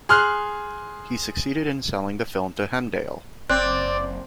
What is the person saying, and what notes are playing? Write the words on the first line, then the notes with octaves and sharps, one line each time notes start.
He succeeded in selling the film to Hemdale.
G#4 C6 F6 F#6
F#1 C4 D5 F#6